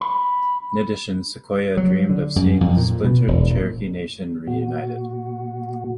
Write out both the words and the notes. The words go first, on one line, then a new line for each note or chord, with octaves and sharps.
In addition, Sequoyah dreamed of seeing the splintered Cherokee Nation reunited.
B5
F#3
D3
F#2
F2
A#2
B2
E1
A#2
A#2 F#4